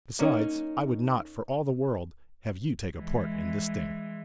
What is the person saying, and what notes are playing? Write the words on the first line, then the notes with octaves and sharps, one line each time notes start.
Besides, I would not for all the world have you take a part in this thing.
A#3 C#4 D#4
E3 G#3